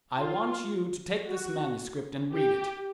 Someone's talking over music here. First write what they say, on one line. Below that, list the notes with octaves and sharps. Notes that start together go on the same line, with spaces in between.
I want you to take this manuscript and read it.
F4
F#4
G4